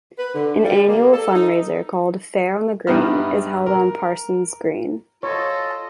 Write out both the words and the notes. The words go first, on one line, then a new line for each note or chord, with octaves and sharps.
An annual fundraiser called, 'Fair on the Green', is held on Parsons' green.
B4
D3
G3
A#3
A4
D#4
G2 G3 B3 D#4 E5 F6
A#4
F4 A4 C#5 D#5